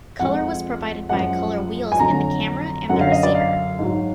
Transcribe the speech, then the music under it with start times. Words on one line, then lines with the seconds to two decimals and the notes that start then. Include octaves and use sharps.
Color was provided by color wheels in the camera and the receiver.
0.19 F2 F3 G#3 F#5
1.09 F#2 F3 G#3 F#5
1.92 G#5
1.99 F2 D3 F#3 A#5
2.89 F#2 D3 F#3 F#5
3.01 F5
3.12 D#5
3.23 D5
3.35 F5
3.79 G#2 F#3